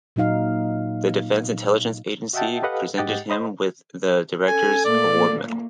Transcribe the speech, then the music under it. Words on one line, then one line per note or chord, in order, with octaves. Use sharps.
The Defense Intelligence Agency presented him with the Director's Award Medal.
A#2 F#3 D#4 F5
F#4 D#5 E5 F#5 G5 A5
G4 A4 B4 D#5 F5 F#5
G#2 G4 D#5 F#5 G5 A6
C5 D#5 B5
C#4 A4 G#5
A#2 A3 A#3 D5